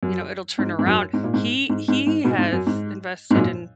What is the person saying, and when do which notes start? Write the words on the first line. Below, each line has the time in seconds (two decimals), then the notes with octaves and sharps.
you know, it'll turn around. He he has invested in
0.03 F#2
0.58 G#2
0.79 G#2
0.86 F#2
1.13 G#2
1.24 A#2
1.34 G#2
1.69 G#2
1.88 G#2
2.07 G#2
2.24 G#2 B2
2.38 G#2
2.52 F#2
2.67 G#2
3.31 G#2
3.35 F#2 A#2